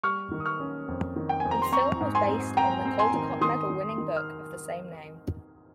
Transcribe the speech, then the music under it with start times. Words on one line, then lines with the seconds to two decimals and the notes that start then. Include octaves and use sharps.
The film was based on the Caldecott Medal winning book of the same name.
0.03 G3 C#6 F6
0.32 D#3
0.40 D#6
0.46 C#6 F6
0.60 C#4
0.88 F2
1.16 D#3
1.29 G5
1.40 F2 G#5
1.51 A#5
1.62 C6
1.72 C4 A#5 C#6
2.01 G#2
2.15 G#5 C6
2.29 C4
2.57 C4 G5 A#5
2.85 C4
2.99 G#5 C6
3.14 D#3
3.41 D#3 C6 D#6
3.70 D#3
3.98 D#3
4.17 F6